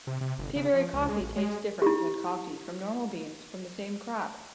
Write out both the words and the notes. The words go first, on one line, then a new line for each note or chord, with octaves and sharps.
Peaberry coffee tastes different than coffee from normal beans from the same crop.
C3
C3
G1
C#3
F3
C#2
G#3
A1
G#3
E4 G4